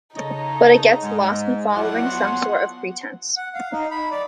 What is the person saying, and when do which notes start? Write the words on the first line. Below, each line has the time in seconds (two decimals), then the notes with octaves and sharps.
But it gets lost in following some sort of pretense.
0.16 C#3 D#4 A4 C#5 D#5 A#5
1.03 G#2 G#3
1.73 F3 F#3 E4 D5 F#5
2.05 B3 C6
3.36 F#5
3.55 F5
3.73 D#4
3.91 B5
4.11 D5